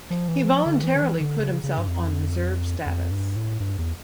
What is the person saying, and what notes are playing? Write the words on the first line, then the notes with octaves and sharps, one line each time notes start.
He voluntarily put himself on reserve status.
F3
E3
F3
D3
E3
D3
E3
D3
C#3
C#3
G2
F2
F2
G2
A2
G2
E2